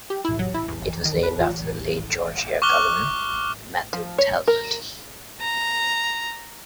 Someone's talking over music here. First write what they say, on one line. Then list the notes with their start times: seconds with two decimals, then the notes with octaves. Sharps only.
It was named after the late Georgia governor Matthew Talbot.
0.10 G4
0.25 E4
0.39 F#3
0.54 E4
0.68 E2
0.81 G1
1.05 D#3
1.23 B4
1.40 F4
2.62 C#6 D6 F6 F#6 G7
3.93 F3
4.18 C#5
4.48 A#4
5.41 A#5